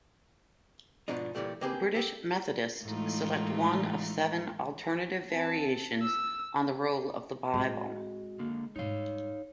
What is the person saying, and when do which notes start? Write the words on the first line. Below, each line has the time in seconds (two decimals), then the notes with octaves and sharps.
British Methodists select one of seven alternative variations on the role of the Bible.
1.08 G#2 B2 F3 D4 D#4
1.35 A#2 D#3 E3 G3 A3
1.61 A#3 C4 G4 G#4 A#4 B4
1.95 G4 A4
2.83 A2 E3 G#3 A3 D#4 F4
5.31 C4 A5
6.02 E6
7.54 A2 G#3 C4 F#4
8.39 D3 A#3
8.76 G#2 G3 D#4 C#5 F5